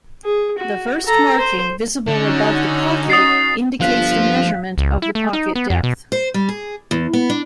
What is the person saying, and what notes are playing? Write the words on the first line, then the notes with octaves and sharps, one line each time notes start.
The first marking visible above the pocket indicates the measurement of the pocket depth.
G#4
F#4
A4 A#5
C5
D3 C#4 D#4 F#4
D#6 A6 C7
G1 F3 F4 F5 F#6 B6
C#2
E4
A3
D#4
B3
F2
B2
C5
G3
G#4
E2
B3
D4